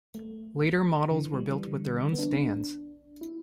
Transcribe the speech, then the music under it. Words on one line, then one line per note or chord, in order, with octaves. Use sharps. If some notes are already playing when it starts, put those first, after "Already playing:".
Later models were built with their own stands.
A3
D3
E3
G3
E3
D3
B3
D4
E4